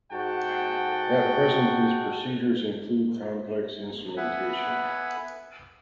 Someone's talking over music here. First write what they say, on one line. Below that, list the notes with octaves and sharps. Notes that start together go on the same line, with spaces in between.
At present these procedures include complex instrumentation.
G#2 F#4 G#4 F#5 G5 A5
B3 B4 E5 F#5 G#5